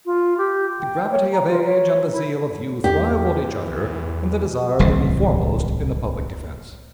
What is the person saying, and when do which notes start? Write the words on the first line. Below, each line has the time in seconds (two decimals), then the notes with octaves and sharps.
The gravity of age and the zeal of youth rivaled each other in the desire to be foremost in the public defense.
0.05 F4
0.37 G4
0.80 G5
1.11 C#5
1.32 A#5
1.49 F4
1.65 C#5
2.11 E4
2.84 E2 G4
4.79 D1 C2 A2 E3